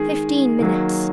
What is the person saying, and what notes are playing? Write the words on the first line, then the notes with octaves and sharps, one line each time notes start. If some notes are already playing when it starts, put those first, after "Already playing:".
Fifteen minutes.
Already playing: D#3 G#3 G#4
D#3 F#3 A#3